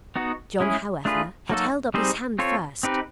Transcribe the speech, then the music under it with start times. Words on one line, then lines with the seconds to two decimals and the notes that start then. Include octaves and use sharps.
John, however, had held up his hand first.
0.16 B3 D#4 F#4
0.60 G#3 C#4 E4 G#4
1.05 A3 D4 F4 G#4 B4
1.50 F#3 A#3 D#4 F#4 A4
1.94 G3 C4 D#4 G#4 C5
2.39 C4 F4 A4 C#5
2.83 C4 D#4 G4 B4